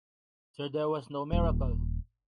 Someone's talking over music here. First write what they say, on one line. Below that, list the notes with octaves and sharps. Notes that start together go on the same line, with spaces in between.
So there was no miracle?
D#1